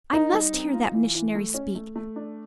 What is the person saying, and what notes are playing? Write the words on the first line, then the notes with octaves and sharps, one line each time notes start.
I MUST hear that missionary speak.
D#4 A#4
G3
C4
F4
E3
E3
A3
C#4
A3
A3
D4